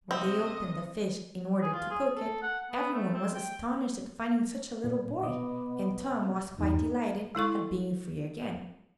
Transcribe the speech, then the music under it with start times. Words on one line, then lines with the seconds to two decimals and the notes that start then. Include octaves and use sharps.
When they opened the fish in order to cook it, everyone was astonished at finding such a little boy, and Tom was quite delighted at being free again.
0.11 C3 C4 D#5
1.62 G#4
1.73 F4
1.91 G#4
2.16 A4
2.42 F#5
2.71 B3
2.93 A3
3.14 C4
3.34 G5
4.84 A#2
5.23 B2 B3 D#5 D6
6.59 E2 G2 D#4
7.35 G#3 E4 A4 C#6